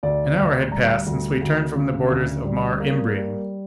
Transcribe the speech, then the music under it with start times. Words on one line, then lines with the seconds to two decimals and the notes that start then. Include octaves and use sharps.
An hour had passed since we turned from the borders of Mare Imbrium.
0.03 D2 D5
0.37 D2
0.71 G3 A#5
1.06 D2
1.41 D2
1.76 C#3
2.11 D2
2.45 G3
2.80 A#3
3.15 G3